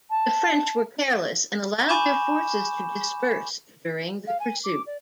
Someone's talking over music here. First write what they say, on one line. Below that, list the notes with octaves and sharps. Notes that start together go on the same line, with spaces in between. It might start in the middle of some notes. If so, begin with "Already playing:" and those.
The French were careless and allowed their forces to disperse during the pursuit.
A5
G#5 B5 C#6 D6 G6 E7
F5
G#5
D6
D5